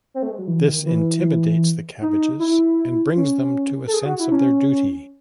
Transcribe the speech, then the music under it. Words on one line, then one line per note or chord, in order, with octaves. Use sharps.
This intimidates the cabbages and brings them to a sense of their duty.
C4
A3
G#3
F#3
E3
D#3
E3
D#4
E4
C#4
A4
G#4
F#4
E4
C#4